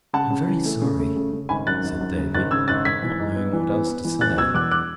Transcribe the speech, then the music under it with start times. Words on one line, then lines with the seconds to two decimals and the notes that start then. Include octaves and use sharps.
"I'm very sorry," said Davy, not knowing what else to say.
0.13 C#3 F#5 A5
0.30 C#3
0.47 E3
0.65 A3
0.82 C#3
0.99 A3
1.16 C#3
1.33 C#3
1.49 G#1 G#5 B5
1.67 F#2 F#6 A6
1.83 G#1
2.01 F#2
2.18 C#3
2.34 G#1 F#6 A6
2.51 C#3 E6 G#6
2.68 G#1 F#6 A6
2.85 G#1 G#6 B6
3.02 E3
3.20 G#2
3.36 B3
3.53 E3
3.70 B3
3.87 B3
4.05 E3
4.20 F#1 F#6 A6
4.37 B2 E6 G#6
4.54 E2 D6 F#6
4.71 D6 F#6